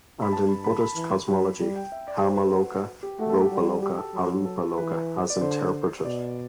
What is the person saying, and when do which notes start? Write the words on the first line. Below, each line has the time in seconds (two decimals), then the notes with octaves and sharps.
And in Buddhist Cosmology Kama-Loka, Rupa-Loka, Arupa-Loka has interpreted.
0.22 B5
0.32 G2 A5
0.48 B5
0.64 B5
0.81 B5
0.96 E3
1.28 F#3
1.60 G3
1.76 G5
1.92 E5
2.08 D5
2.23 C5
2.34 B4
2.44 A4
2.55 F#4
3.03 G4
3.19 A3 F#4
3.30 A4
3.40 G4
3.51 G3 F#4
3.83 G4
3.98 A4
4.14 F#3
4.45 A4
4.77 E3 B4
5.30 D5
5.41 D3 C5
6.05 B2 D5